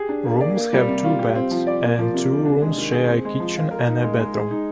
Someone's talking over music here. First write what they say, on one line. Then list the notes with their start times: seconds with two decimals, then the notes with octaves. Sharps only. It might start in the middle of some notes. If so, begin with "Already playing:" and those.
Rooms have two beds and two rooms share a kitchen and a bathroom.
Already playing: G4 G#4
0.09 D4
0.26 A#3
0.41 D5
0.57 A#3
0.73 G3
0.88 C3
1.04 F4
1.19 G4
1.35 C4
1.51 F3
1.67 D5
1.83 A#3
1.99 F3
2.14 C3
2.29 C3
2.45 D4
2.62 G#3
2.78 D#3
2.92 G#4
3.08 C4
3.25 G#3
3.40 F3
3.56 F4
3.71 A#4
3.88 D#4
4.03 G#3
4.19 G#3
4.34 G#4
4.51 D#4